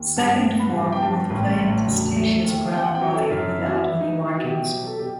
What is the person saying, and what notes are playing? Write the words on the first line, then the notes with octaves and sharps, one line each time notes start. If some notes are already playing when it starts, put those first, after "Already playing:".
Second form with plain testaceous brown body without any markings.
Already playing: D#2
G2 A5
B3
B5
G2
G5
G3 A5
A1
A2
E1
A3
D#2
C4 G5
F#5
G5
F#3
A4
F#2
E3 E4
F#4
E4
E3
D#4
E3
F#4
B2 G4
F#3
A4
B2 G4